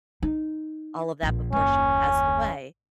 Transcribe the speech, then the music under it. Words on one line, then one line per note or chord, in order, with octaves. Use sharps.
all of that before she passed away,
D#4
A#1
F#1 D#2 C#4